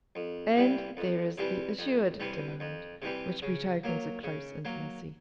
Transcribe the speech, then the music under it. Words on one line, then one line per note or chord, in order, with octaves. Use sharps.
And there is the assured demand,--which betokens a close intimacy.
F2
C3 E3 G3
F2
C3 E3 G3
F2
C3 E3 G3
F2
C3 E3 G3
C#3
F#3 A#3
C#3
F#3 A#3